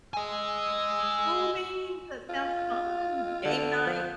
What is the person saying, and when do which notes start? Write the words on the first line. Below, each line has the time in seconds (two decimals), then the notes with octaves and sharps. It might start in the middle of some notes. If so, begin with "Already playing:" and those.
Cool beans! That sounds fun. Game night!
0.14 D#5 G#5 E6
2.29 F4
3.45 D3
3.86 F3